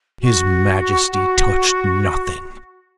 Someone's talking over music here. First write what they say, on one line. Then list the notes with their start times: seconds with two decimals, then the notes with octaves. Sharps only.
His Majesty touched nothing.
0.21 F#4
1.12 F#4